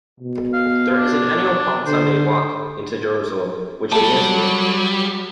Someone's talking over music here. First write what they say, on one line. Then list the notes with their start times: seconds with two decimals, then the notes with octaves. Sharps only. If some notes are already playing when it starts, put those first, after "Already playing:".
There is an annual Palm Sunday walk into Jerusalem which begins here.
0.20 B2
0.53 F5
0.97 D4
1.86 D3 C5
3.92 F#3 G3 A4 A5